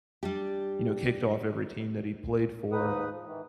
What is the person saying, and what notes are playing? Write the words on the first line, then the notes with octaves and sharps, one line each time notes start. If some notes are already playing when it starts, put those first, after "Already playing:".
you know, kicked off every team that he played for
G3 D4 G4
D#2 G#2 D#4 B4 D#6
F3
D#3 E3